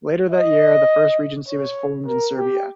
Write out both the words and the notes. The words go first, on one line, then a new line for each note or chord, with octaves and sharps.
Later that year "The first regency" was formed in Serbia.
D#5
C#5
A#4
G4